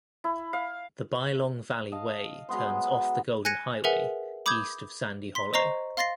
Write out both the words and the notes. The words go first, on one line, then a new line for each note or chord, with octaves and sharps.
The Bylong Valley Way turns off the Golden Highway east of Sandy Hollow.
E4
F5
D#5 F5 A5
F#3 G#3 B3 C6
G#5 F#6 G#6 A#6 C#7 D#7
G#4 A#4 B4 E5 F#5 G#5
B5 D6 D#6 G6 G#6
C6 B6
C5 D#5 A#5 C#6 C7
F5 C6 A6 A#6 C7